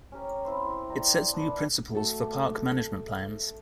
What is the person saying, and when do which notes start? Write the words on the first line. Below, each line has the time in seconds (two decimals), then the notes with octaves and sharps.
It sets new principles for park management plans.
0.12 C#4 G4 A#4
0.45 C4 E4 C5
0.90 D5 G5 A#5
1.33 B3 D4
1.95 A3 F#4 A4